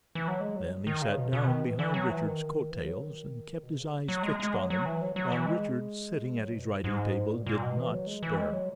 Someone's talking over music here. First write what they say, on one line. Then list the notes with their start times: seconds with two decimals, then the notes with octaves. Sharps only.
Then he sat down behind Richard's coat-tails and kept his eyes fixed on them, while Richard, sitting at his writing-table, did not stir.
0.15 E3
0.28 F#3
0.41 G#3
0.56 F#3
0.87 D#3
1.02 C#3
1.17 B2
1.33 B2
1.47 D#3
1.64 E3
1.79 E3
1.94 F#3
2.10 E3
2.25 D#3
2.71 E3
2.86 F#3
3.01 D#3
3.63 B2
3.78 C#3
3.94 F#3
4.08 F#3
4.23 G#3
4.40 G#3
4.54 F#3
4.70 F#3
4.86 E3
5.01 F#3
5.16 F#3
5.32 E3
5.46 G#3
6.38 F#3
6.54 B2
6.69 G#2
6.84 G#2
7.31 A#2
7.46 A#2
7.62 B2
7.77 E3
7.92 F#3
8.07 G#3
8.23 E3
8.38 G#3
8.53 F#3